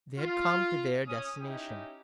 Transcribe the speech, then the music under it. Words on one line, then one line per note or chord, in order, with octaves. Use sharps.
They had come to their destination.
F4
C#4 D#6
C#4 D#4 E4 G4